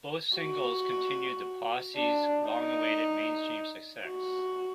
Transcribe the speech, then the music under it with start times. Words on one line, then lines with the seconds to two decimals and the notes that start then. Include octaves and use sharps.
Both singles continued the Posse's long-awaited mainstream success.
0.38 F#4
1.96 D4
2.48 D#4
4.06 F#4